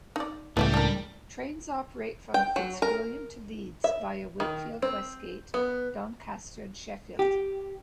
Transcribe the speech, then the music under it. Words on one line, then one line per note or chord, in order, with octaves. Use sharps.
Trains operate from Fitzwilliam to Leeds via Wakefield Westgate, Doncaster and Sheffield.
D#4 D5
C#2 A2 G3 B3 E4 G4
D4 A#4
G5
F#3
A#4
E5
D#3
C4
B3
G4